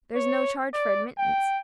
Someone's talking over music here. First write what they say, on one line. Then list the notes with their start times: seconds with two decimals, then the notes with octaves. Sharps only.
There's no charge for admittance.
0.15 C#5
0.74 D5
1.18 G5